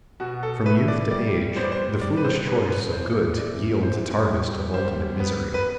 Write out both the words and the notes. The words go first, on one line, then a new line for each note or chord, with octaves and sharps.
From youth to age, the foolish choice of goods yields its harvest of ultimate misery.
B2 F#4
A4
A3 B4
D5
G3 D5
B3 C5
D5
C5
G3 D5
B4
C5
B2 B4
B4
E3 C5
E3 D5
E3 C5
G3
G3 C5
B3
B4